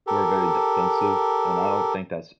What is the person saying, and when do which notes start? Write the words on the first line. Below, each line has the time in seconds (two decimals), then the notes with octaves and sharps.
we're very defensive, and I don't think that's
0.07 G4 A4 A#4